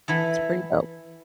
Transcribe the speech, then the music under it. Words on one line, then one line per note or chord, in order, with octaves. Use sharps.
It's pretty dope.
E3 E4 A4